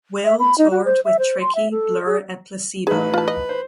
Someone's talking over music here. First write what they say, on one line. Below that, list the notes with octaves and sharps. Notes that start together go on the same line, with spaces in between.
Whale toured with Tricky, Blur and Placebo.
E5
B5
D#4
F#4
C5
E5
C5
C6
E5
A4
G#4
A1 D#4 G#4 B4
F4 A5
D#5
C5